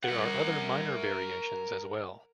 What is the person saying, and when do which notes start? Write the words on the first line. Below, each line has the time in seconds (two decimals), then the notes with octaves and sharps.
There are other minor variations as well.
0.04 A#4 F#5